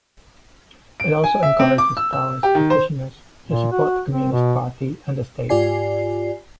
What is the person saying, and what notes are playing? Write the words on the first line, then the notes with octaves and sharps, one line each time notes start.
It also encourages Taoist practitioners to support the Communist Party and the state.
D7
G#5
E5
C4
D6
E6
E6
G4
D#3
C5
A#2
F#4
C4
B2
G#2 F4 G4 D5 G#5 C7